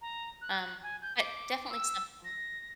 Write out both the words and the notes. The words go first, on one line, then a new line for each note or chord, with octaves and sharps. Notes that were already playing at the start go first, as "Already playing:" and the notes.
um, but definitely something.
A#5
F#6
G#5
G6
D6
E6
A#6